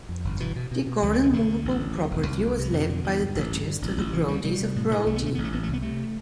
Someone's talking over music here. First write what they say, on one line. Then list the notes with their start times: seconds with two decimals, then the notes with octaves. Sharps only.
The Gordon "moveable" property was left by the Duchess to the Brodies of Brodie.
0.09 F2
0.24 G1
0.40 B2 E3
0.56 B2
0.71 B2
0.87 B2
1.03 D2 F3
1.13 G3
1.19 C3 F3
1.33 D2 D3
1.49 D2
1.65 A1
1.81 D3
1.95 D2 E3
2.11 E1
2.27 C2
2.42 C2
2.59 C3
2.73 F2
2.88 B2 D3
3.05 E2
3.20 G2
3.35 A1
3.51 G2
3.66 D3
3.82 A1
3.98 A1
4.13 C3 E3
4.28 D2 G3
4.44 C3 G3
4.60 C3
4.76 A2
4.91 A2
5.06 C2 A3
5.16 B3
5.22 B2 A3
5.35 A1 B3
5.44 A3
5.52 A1 B3
5.63 A3
5.68 C2
5.73 B3
5.82 C3 A3